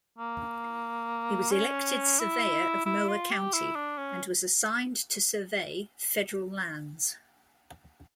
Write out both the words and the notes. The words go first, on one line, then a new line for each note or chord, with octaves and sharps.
He was elected surveyor of Mower County, and was assigned to survey federal lands.
A#3
C#4
E4
E4
F4
G4
E4
D4
C#4